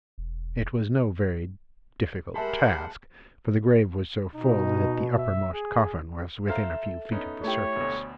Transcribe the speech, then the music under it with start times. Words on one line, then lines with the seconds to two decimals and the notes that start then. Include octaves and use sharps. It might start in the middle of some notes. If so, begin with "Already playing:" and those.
It was no very difficult task, for the grave was so full, that the uppermost coffin was within a few feet of the surface.
0.18 E1
2.35 G#3 G4 A#4 C5 E5 F#5 A5 B5
4.35 B2 D#4
5.18 E5
5.53 G#4
6.48 A4 C5 E5 F5 A#5
7.11 B3 C#4 D#4
7.44 A3 E4 G4 C#5
7.76 D2 B2